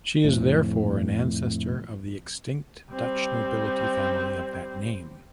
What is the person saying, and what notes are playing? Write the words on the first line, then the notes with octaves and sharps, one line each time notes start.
She is therefore an ancestor of the extinct Dutch nobility family of that name.
F2 A2
G3 C4